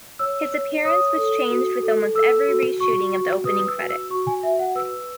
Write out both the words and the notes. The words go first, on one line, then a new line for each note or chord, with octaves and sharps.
His appearance was changed with almost every reshooting of the opening credits.
C#5 E6
C#5
C#5 D#6
A4
F#4
A4
A4 E6
F#4
F#4 C#6
F#4
B4 D#6
E6
F#4
E6
F#4 C#6
G#5
F#4 E5
F#5
B4 E6